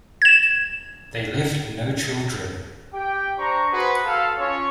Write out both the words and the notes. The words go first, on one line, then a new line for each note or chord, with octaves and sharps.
They left no children.
G#6 E7
G4 G5
D4 C5 A#5 C#6
F#4 G#4 B4 C5 B5 C6
A4 F5
C#4 F4 C#5